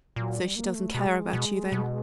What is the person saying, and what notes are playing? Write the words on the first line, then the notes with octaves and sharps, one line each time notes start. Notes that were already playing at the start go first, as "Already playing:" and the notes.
"So she doesn't care about you, then?"
A#2 F#3
G3
A#3
A3
B2 G#3
B2
B2